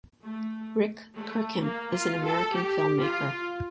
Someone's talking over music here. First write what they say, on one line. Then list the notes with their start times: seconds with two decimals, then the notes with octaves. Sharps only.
Rick Kirkham is an American filmmaker.
0.23 A3
1.16 A3
1.62 A#3
1.93 F4
2.24 A4
2.55 G4
3.01 F4